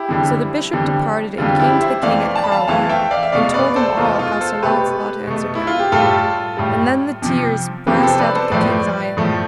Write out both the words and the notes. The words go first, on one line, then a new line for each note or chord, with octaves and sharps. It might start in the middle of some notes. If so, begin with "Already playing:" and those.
So the Bishop departed and came to the king at Carlisle, and told him all how Sir Launcelot answered him; and then the tears brast out of the king's eyen.
Already playing: E4 G4
F2 D3 G3
F2 D3 G3
F2 D3 G3 F4
E4 G4
C5 E5
F2 E3 A3 D5 F5
A5
B5
F5 A5
F2 E3 A3 F5 A5
E5 G5
D5 F5
E5
E2 B2 A3 D5 F5
B4 D5
A4 C5
E2 B2 A3 F4
F4
A4 C5
B2 A3 G4 B4
B2 A3
E4
F4
G4
A2 G3 F4 A4
A2 G3
F2 C3 F3
F2 C3 F3 G4 B4
A4 C5
B4 D5
A4 C5
A2 F3 A3 B4 D5
A2 F3 A3